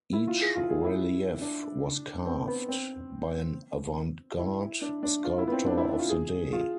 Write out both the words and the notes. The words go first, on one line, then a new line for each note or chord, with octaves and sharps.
Each relief was carved by an avant-garde sculptor of the day.
E4
F4
G#4
F4
G#4
E4
D4
C4
B3
C4
E4
D4
D4
F4
E4
B3
C4
D4
E4
D4
F4
G#4
F4